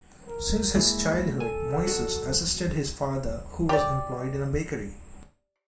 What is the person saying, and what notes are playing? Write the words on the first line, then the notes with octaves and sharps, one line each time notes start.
Since his childhood Moisis assisted his father who was employed in a bakery.
A#4
G#3 A#3 E4
A4 G#5
B2 F#3 F#4
G4 D5